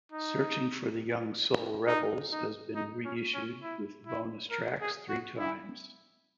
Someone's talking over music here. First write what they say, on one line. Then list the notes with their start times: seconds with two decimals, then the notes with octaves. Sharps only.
"Searching for the Young Soul Rebels" has been reissued with bonus tracks three times.
0.12 D#4
1.87 D#4
2.32 D#4
2.75 D#4
3.05 C#4
3.34 C#4
3.63 E4
4.07 E4
4.51 A#4
4.81 G#4
5.09 F#4
5.39 E4